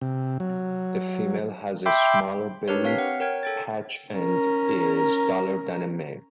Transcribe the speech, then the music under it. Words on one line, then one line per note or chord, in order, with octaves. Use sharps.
The female has a smaller belly patch and is duller than the male.
C3
F#3
E5 G5 B5 C6 D6
D4 G4 A#4 B4 C#5
C4 C#5 F5 F6 B6
F#5
A#4 C#5 G5 G#6
A4 G5 A6
C#4 A#4